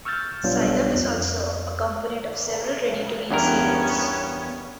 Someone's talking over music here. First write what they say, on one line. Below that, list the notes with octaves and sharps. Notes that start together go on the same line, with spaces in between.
Psyllium is also a component of several ready-to-eat cereals.
C#6 E6 F6 G6 A6
B1 G3 B3 D4 F4 C#5
F2
E2 G2 B3 C#4 A#4